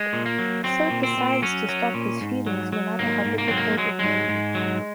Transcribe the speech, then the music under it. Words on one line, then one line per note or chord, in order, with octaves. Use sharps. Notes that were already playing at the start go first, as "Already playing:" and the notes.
Third decides to stop his feelings no matter how difficult it may be.
Already playing: G#3
A#2
A#3
F#3
F#3 C4
A#2
C4
A#2
F#3 C#4
F#3
A#2
G#2
F#3
F#3
G#2 A#3
G#2
A#3
F#3 C4
A#3
F#3 G#3
G#2 G#3
G#2
F#3